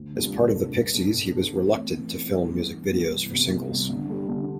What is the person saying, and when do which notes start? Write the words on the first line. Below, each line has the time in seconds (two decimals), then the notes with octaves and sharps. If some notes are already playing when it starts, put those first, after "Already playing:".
As part of the Pixies, he was reluctant to film music videos for singles.
Already playing: D2
0.14 C3 G3 D4 F4
0.34 D2
0.53 C3 G3 D4 F4
0.73 B2
0.93 B3 D4 A4
1.13 B2
1.33 B3 D4 A4
1.52 E3
1.73 A3 C4
1.91 E3
2.11 A3 C4
2.31 G2
2.51 E3 B3
2.71 G2
2.90 E3 B3
3.10 C2
3.30 C3 G3
3.50 C2
3.69 C3 G3
3.89 D3
4.09 G3 D4 A4
4.28 D3